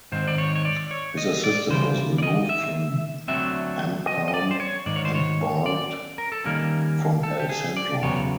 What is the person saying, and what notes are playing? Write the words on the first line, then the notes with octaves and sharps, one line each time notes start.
His assistant was removed from Empalme and barred from El Centro.
G#2 D#3 C4 C5
D5
C#5
C#5
D5
C#5
D#5
D5
C#3 E3 G3 C5
D5
D#5
E5
D3 F#3 A3 C4 E5
D#5
D#5
D5
C5
C#5
G#2 D#3 D5
C#5
C5
C#5
D5
A#4
A4
D#3 G3 A#3 C#4 A#4
A4
G4
G#4
D5
E2 C#3 F#3 B3 C#5